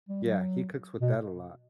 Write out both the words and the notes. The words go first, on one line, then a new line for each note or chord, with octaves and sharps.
yeah, he cooks with that a lot.
G3
F#3
B2